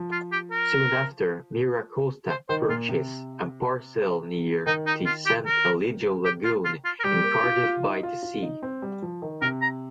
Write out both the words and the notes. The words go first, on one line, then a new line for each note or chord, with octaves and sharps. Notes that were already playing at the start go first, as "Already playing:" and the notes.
Soon after, MiraCosta purchased a parcel near the San Elijo Lagoon in Cardiff-by-the-Sea.
Already playing: F3
F4
G4
A#4
C5
D#3 C5
A#2 F4
C3
D#3 D#4
D#4
F4
G4
A#4
G4
F4
F4
F4
A#4
G3 G4
A#3
F4
F4
D#4
F4
F4
D#4
C4
G3
F3
D#3
C3 A#4
A#5